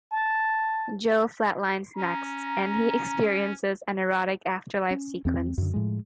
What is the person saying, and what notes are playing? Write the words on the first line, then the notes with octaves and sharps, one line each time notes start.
Joe flatlines next, and he experiences an erotic afterlife sequence.
A5
C#4 A#5
C#4
E2 C4
F#2 D3
A2 F3 G#3